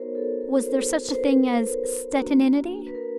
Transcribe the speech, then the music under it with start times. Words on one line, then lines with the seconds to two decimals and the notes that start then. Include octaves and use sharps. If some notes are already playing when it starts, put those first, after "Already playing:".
Was there such a thing as Stettininity?
Already playing: B3 D#4 F#4 A#4 C5 C#5
0.15 A4
0.41 A#4
0.66 C5
1.04 B4
1.11 C5
1.19 B4
1.42 A#4
2.18 A#3 D4 F#4
2.87 B4
2.95 A#4